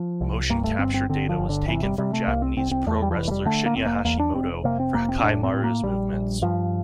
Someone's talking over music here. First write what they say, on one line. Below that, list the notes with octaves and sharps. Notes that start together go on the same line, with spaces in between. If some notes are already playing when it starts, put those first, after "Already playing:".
Motion capture data was taken from Japanese pro-wrestler Shinya Hashimoto for Hakaimaru's movements.
Already playing: F3
C2
G2 A#3
A3
G1 C4
C4
D3 C4
F3
G1
D3
C3 E3
G3
C3 G3
A3
C2 A#3
C4
C2 C4
C4
E2 A3
G3
F3
F1 E3
A3
G3
D3 A3
A#3
F1 C4
A#3
E2 A#3
D4
F1 C4
C3 A#3
C4
F1 A#3
C4
C4
A2 D4
C4
A2
A#3
A#1 G3
A#1
G2 F3